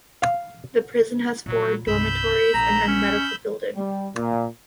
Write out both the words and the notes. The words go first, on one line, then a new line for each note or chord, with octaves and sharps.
The prison has four dormitories and a medical building.
F5
A#2 F#3 F4
C2 G2 B5 E6 G6
A#1 A#5
C#4
G3
A#2